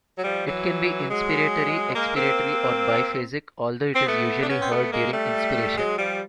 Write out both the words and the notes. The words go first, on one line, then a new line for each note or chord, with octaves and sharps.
It can be inspiratory, expiratory or biphasic, although it is usually heard during inspiration.
F#3
F3 G3
E3 F#3
F#3 G#3
G#3 A#3
A#3 C4
C4
A3 B3
D4
B3 C#4
C4
A3 B3
G#3 A#3
G3 A3
F#3 G#3
F3 G3